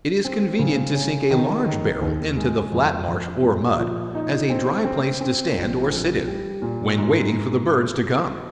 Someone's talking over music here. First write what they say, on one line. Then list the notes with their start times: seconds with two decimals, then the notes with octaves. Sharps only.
It is convenient to sink a large barrel into the flat marsh or mud, as a dry place to stand or sit in, when waiting for the birds to come.
0.24 C4
0.59 C#3
0.95 C#4
1.31 D#3
1.66 D#3
2.01 D#2
2.37 G#3
2.72 F2
3.08 F2
3.43 A#2
3.79 F3
4.15 D#4
4.50 C4
4.85 C4
5.21 C4
5.56 A#1
5.92 A#1
6.27 G3
6.62 A#2
6.98 G#2